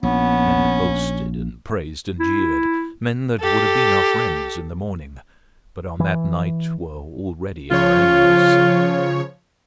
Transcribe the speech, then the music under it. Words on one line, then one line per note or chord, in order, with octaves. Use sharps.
Men that boasted, and praised, and jeered--men that would have been our friends in the morning, but on that night were already our enemies.
A#1 B3 C#4
E4
G4 A4
E3
C#3 F3 F4 C#5